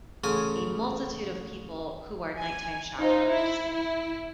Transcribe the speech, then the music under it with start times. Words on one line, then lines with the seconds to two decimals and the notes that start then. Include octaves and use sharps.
a multitude of people who are nighttime showerers.
0.24 A1 C#3 G#5
2.38 G#5
2.98 D#4 F4 C5
3.30 E4
3.73 E4